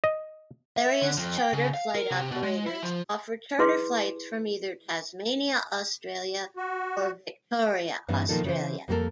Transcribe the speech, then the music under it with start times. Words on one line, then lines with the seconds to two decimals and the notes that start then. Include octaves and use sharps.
Various charter flight operators offer charter flights from either Tasmania, Australia or Victoria, Australia.
0.04 D#5
0.77 E5
1.02 D3
1.17 F2
1.38 G5
1.53 C#3
1.74 F5
1.96 A#4
2.11 C3
2.31 B2
2.43 G#3
2.66 E4
2.83 F3
3.59 E4 G#4 B4 C6 D6
6.57 F#4
8.08 G2 E3 B3 C#4 D#4
8.29 B2 D#3 F3 A#3 D#4 A4
8.44 C#3 E3 C5
8.88 F2 G3 A#3 B3 A4 A#4